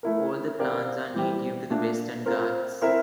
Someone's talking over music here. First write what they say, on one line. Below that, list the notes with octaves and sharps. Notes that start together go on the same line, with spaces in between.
All the plants are native to the Western Ghats.
A3 E4 A#4
C4 G4 A#4 D5 F5
E3 G3 C4 G4
A#2 A3 D4
C4 F4 A#4
C4 E4 A#4 E5